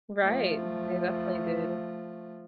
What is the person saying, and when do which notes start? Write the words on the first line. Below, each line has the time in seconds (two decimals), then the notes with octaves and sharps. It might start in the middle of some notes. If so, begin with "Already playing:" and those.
Right. They definitely did.
0.22 F3 A3